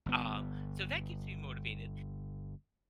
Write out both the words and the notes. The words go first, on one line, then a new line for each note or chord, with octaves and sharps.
Uh, so that keeps me motivated,
G1 B3